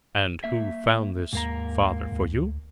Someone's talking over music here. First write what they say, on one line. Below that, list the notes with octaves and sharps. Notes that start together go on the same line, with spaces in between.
"And who found this father for you?"
A#3 E5
D#2 G#2 A#3 A#5
D2